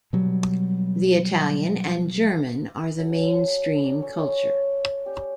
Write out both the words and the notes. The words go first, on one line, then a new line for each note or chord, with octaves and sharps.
The Italian and German are the mainstream culture.
B2 F#3 G3
F#3 C#4 A4
C#5 D5 A#5 D6
C#4 A4 C#5 D5
G3 C#4 G4